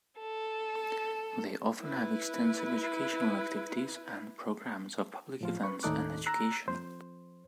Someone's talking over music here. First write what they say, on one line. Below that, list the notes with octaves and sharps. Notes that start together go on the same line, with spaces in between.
They often have extensive educational activities, and programmes of public events and education.
A4
E4 B4
A2 F3 F4
B4 C#6
D#2 A2 D#4 A4 D6 F#6
A#5 E6 F#6
F2 C5